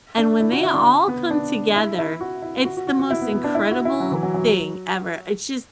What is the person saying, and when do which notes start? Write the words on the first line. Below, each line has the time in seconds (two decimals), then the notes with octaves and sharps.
and when they all come together, it's the most incredible thing ever. It's just
0.18 D4
0.40 E4
0.52 F#4
0.63 E4
0.74 D4
1.08 B3
1.30 D4
1.76 E4
1.98 E4
2.21 F#4
2.42 E4
2.65 F#4
2.77 F#4
2.87 F#4
2.99 F#4
3.10 E4
3.22 B3
3.33 B3
3.44 D4
3.55 E4
3.71 F#4
3.85 E4
4.00 F#3
4.12 E3
4.23 F#3
4.34 F#3